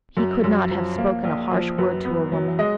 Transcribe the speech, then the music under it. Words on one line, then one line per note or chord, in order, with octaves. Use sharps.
He could not have spoken a harsh word to a woman.
F#2
F#2
F3
A#3
A#1
F3
F#2 B4
B3
F#3
G#3 D#5